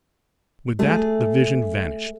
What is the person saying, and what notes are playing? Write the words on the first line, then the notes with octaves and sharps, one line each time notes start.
With that the vision vanished.
A3 G#4